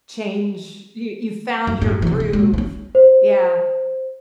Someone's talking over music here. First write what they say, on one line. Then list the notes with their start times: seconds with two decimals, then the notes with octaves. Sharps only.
Change, you you found your groove. Yeah.
1.67 F#2
1.81 F#2 A2
2.02 C3 E3
2.20 C#3
2.33 A#2 G#3
2.54 A3 C#4
2.95 C5